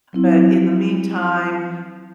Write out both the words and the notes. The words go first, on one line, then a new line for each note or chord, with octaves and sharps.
but in the meantime,
F#3 C4 E4